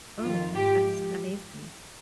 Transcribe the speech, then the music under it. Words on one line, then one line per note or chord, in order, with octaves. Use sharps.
Oh, that's amazing.
F2 D#3 F4
G#2 F3 G4